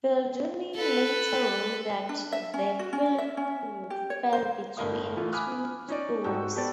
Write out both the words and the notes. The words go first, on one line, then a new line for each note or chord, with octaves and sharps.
Phil Dunne later wrote that the film fell between two stools.
A4 B4
D4
E5
C#4
F#4
C#4
E5
C#4
G4
C#5
C5
G1 A2 A#4 F5 D#6
E3 A3 F4
G#5 B5 D6 D#6 F6 F#6
C#4 D#4 D5
G#2 C4 D#4 F#4 A4 G5
B3 G4 A4 C5 D5 A6